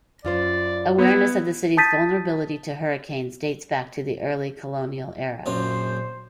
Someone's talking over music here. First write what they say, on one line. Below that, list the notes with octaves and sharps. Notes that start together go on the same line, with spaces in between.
Awareness of the city's vulnerability to hurricanes dates back to the early Colonial era.
F#2 F4 C5 D5
B3 E4
A5 D#6 G6 A6 B6 D#7
A#1 F#2 C#4 C5